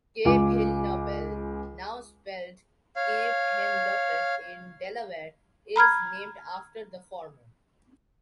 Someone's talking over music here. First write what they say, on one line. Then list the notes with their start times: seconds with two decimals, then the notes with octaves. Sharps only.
Cape Hinlopen, now spelled Cape Henlopen in Delaware is named after the former.
0.25 C#2 F4 G#5 D6
2.96 C#5 F5
5.76 A#5 B5 F6 G#6